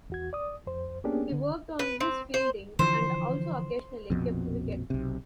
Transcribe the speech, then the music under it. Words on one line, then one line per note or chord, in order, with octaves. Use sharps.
He worked on his fielding, and also occasionally kept wicket.
E2 F#4 G#6
D5 D#6
F2 C5
A#3 B3 C#4 D4 G4 G#4
D3
B4
C4
C5
D3 E3 F3 C5
A#1 F2 B2
B1 C3